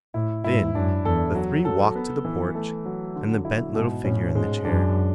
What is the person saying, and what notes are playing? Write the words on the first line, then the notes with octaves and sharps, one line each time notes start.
Then the three walked to the porch and the bent little figure in the chair.
A2 E4
G#2 E4
F#2 D4
E2 A4
F#3
A4
B3
E3
A3
F#3
D3
E4
G#2 B2
A2 C#4
G#2 G#3
F#2 D4